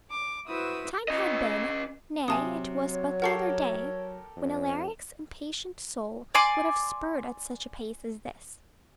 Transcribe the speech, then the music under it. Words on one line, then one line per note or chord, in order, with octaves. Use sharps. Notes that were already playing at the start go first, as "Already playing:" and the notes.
Time had been--nay, it was but the other day--when Alaric's impatient soul would have spurned at such a pace as this.
D6
E4 F#4 B4 C5 D#6 E6
C#4 D#5
C3 F#3 G#5 A5 D#6
C#5
G4 A4 A#4 F#5 C#6 C7
F2
D5 G#5 C6 D6